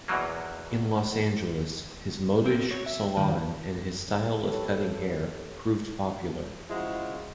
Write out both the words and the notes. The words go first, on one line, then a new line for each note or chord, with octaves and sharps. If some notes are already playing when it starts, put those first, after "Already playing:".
In Los Angeles, his modish salon and his style of cutting hair proved popular.
E2 B2 E3 F#3 A#3
C4 A#4
F#4 C#5
E5
A2 D#3
G4 A4 B4 C#5
C#3 F3 G#3 E4 F#4